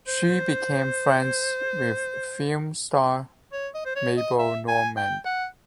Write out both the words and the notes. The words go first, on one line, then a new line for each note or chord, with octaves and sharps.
She became friends with film star Mabel Normand.
C5
C#5
D#5
C5
C#5
D#5
E5
G#5
G5
F#5